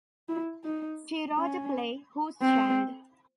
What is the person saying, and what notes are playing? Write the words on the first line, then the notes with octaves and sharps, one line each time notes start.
She wrote a play Whose Child?
E4
D#4
C#4
C4